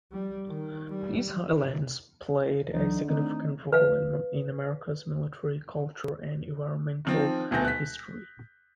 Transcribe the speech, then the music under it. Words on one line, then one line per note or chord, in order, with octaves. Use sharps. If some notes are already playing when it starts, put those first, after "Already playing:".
These highlands played a significant role in America's military, cultural and environmental history.
G3
D#3
G3
D2 D3 E3 F#3 D#4
D#3 A3 C4 D#4
B4 F5
D#3 F3 C4
D#1 D2 B2 G6 A#6
F#6 B6